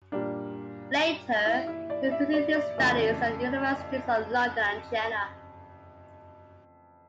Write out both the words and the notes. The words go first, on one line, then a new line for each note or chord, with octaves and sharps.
Later, he continued his studies at the Universities of London and Jena.
A#2 G3 A#3 D4
E4
E4
D5
E5
D5
D5
F2 C#3 E3 A3